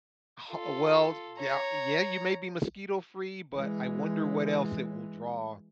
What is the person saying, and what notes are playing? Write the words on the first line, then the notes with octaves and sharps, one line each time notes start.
Ho oh, well, d yeah yeah, you may be mosquito free, but I wonder what else it will draw
F4 A4
C#5 A#5
E3 G#3